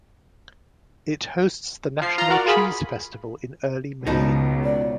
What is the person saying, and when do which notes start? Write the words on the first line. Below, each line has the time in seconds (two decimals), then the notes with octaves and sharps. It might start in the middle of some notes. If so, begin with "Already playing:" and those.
It hosts the national cheese festival in early May.
2.02 F3 C7
2.18 F4 A#5 C6
2.30 F#4 A#4 D5
2.46 F4 G#4 B5
4.07 C#2 B2 F3 D#4
4.64 D5